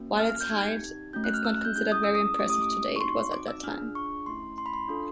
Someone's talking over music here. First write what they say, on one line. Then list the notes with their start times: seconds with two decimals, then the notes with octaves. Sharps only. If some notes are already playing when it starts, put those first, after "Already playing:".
While its height is not considered very impressive today, it was at that time.
Already playing: A#3 C#4 F#4
0.20 F6
0.30 F6
0.41 G6
0.50 C4 D#4 G4 G#6
1.13 A3 C#4 F#4 G6
1.24 F#6
1.34 F6
1.45 E6
1.55 F#6
1.65 G6
1.76 C#4 E4 G#4 G6
1.92 D#6
2.04 E6
2.15 D#6
2.39 A3 C#4 E4 G4 D6
2.50 D#6
2.62 D6
2.96 C#6
3.00 C4 D#4 F#4 C6
3.33 D6
3.48 E6
3.63 D4 F4 G#4 F6
3.95 C#6
4.26 A3 C#4 E4 C6
4.58 C6
4.66 B5
4.74 C6
4.88 D4 F4 A4